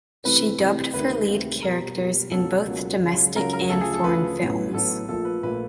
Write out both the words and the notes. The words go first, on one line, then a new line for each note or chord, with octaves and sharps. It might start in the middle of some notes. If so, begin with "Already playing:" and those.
She dubbed for lead characters in both domestic and foreign films.
C3 E3 A3 C4 B4
C3 E3 A3 C4
D2 C3 D#3 B4
D2 C3 D#3
B2 G3 A#3 A#4
B2 G3 A#3
C#2 B2 F#3 A#3 A4
C#2 B2 F#3 A#3
C#2 C#3 F#3
C#2 C#3 F#3 A#4
A#4
D2 C#3 F3 A4
G#4
A4
D2 C#3 F3 B4
A1 A2 F#3 B3
A1 A2 F#3 B3 A4
A#1 A#2 F3 A3 A4
B4
A#1 A#2 F3 A3 B4